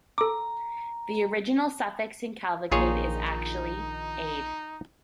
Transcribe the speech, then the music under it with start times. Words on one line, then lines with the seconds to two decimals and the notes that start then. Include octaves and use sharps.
The original suffix in "cavalcade" is actually "-ade".
0.18 A4 A#5 D6
2.72 A#1 D#3 A#3 D#4 F4 G#4 C#5